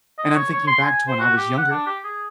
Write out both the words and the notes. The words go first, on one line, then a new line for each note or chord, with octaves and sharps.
and I'm thinking back to when I was younger,
D#5
C#5
C#5
C6
G#5
C5
F#4
G4
F#5
D4
G4
G#4